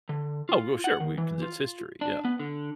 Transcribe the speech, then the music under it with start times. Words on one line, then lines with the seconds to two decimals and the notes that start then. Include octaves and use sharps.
Oh, well, sure, we 'cause it's history, yeah.
0.09 D3
0.49 F4
0.84 F#5
1.00 D#3
1.18 E3
1.42 F4
2.01 D4
2.25 B3
2.40 D3